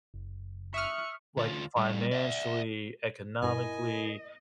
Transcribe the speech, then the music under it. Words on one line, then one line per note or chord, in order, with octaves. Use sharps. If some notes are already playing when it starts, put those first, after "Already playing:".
like, financially, economically,
F#1
E5 C#6 D#6 F6 F#6
D2 F4
A2 G3
D5 E5
G2 B2 E4 A#4 D#5 G#5 B5